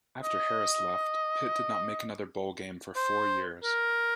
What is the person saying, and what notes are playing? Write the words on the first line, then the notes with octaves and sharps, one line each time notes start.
After Harris left, Pitt did not make another bowl game for four years.
D#5
C5
A#4